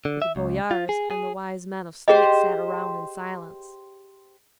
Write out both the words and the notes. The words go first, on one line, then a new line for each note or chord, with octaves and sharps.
But the boyars and the wise men of state sat round in silence.
D3
E5
C#2
F4
G#4
G#4
G4 G#4 C5 D#5